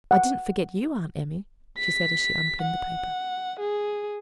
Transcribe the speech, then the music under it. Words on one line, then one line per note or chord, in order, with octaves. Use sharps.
"I didn't forget you, Aunt Emmy," she said, as she unpinned the paper.
F#5
B6
F#5
G#4